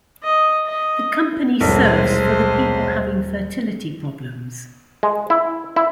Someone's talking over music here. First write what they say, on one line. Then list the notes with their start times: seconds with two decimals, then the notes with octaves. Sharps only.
The company serves for the people having fertility problems.
0.23 D#5
0.67 D#5
1.61 D#1 B1 F3 G#3 A#4 C5
5.03 G#3
5.30 E4
5.76 E4